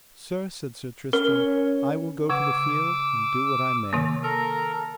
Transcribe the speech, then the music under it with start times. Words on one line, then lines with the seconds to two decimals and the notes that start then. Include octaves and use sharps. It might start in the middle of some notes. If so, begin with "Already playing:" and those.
Sir, said Sir Tristram, I will go to the field and do what I may.
1.13 C#4 A#4
2.29 C#3 F#5 D6 E6 G#6
3.93 C3 D#3 A#3
4.23 A4 A#4 A#5